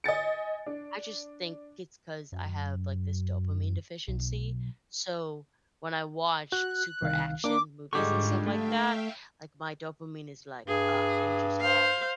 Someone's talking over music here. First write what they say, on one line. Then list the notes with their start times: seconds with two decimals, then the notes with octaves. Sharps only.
I just think it's 'cause I have, like, this dopamine deficiency, so, when I watch super action movies and stuff like that, like, my dopamine is, like, up, and just happy.
0.04 D#5 G#5 A6 C#7
0.66 D4
2.32 F#2
4.08 B1
6.52 F#4 F#6
7.02 C2 D#3 F5
7.44 A#3 D4 D6
7.93 G#2 D3 G3 G#3 D4 F4 C#6 D6
8.46 A3 E5 F5 G5
10.68 G2 G#4
11.61 C5 F5